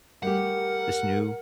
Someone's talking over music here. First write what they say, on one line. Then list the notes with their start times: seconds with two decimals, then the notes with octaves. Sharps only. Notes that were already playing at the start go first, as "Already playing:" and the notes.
this new
0.23 G3 A3 G4 A#4 F#5